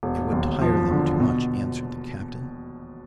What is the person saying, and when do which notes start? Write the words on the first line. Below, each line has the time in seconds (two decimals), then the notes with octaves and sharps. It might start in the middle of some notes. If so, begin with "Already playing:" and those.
"It would tire them too much," answered the Captain.
0.03 E1
0.32 D#2
0.61 F3
0.91 D3
1.20 B2